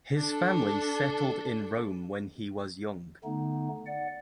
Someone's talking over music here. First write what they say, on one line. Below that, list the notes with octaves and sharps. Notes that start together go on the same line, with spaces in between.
His family settled in Rome when he was young.
D4 A4
D3 A3 B3 D#4
D5 F#5